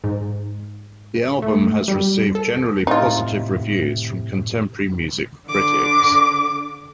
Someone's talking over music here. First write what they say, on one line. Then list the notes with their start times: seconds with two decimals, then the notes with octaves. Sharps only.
The album has received generally positive reviews from contemporary music critics.
0.04 G#2
1.42 A3
1.88 G3
2.35 A4
2.87 A2 C3 D#4 F4
5.48 D3 D6